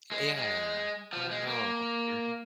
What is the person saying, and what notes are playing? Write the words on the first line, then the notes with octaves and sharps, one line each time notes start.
Yeah. Oh, no, really?
G#3
G#3
F3
G#3
A#3